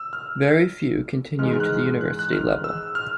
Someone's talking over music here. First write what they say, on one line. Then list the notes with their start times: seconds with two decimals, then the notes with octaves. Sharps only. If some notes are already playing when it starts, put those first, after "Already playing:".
Very few continue to the university level.
Already playing: E6
0.13 F6
1.39 G#2 E3 G#3 F6
1.53 F6
1.60 F#6
1.80 F6
2.01 F#6
2.19 F#6
2.32 F6
2.64 E6
2.95 F6